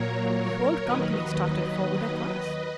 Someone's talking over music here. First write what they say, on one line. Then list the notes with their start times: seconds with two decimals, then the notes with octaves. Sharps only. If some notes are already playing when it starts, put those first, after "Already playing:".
The whole company started forward at once.
Already playing: A#2 F#3 A#3 A#4 C#5
0.38 A#4 C#5
0.84 D#2 D#3 F#3 B4 D#5